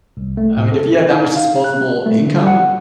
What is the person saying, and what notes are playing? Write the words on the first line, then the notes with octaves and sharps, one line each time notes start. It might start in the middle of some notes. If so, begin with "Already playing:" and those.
I mean, if you have that much disposable income, uh
C2
A3
A2
A4
G#6
D#4
F5
F#6
A3
D3
F#5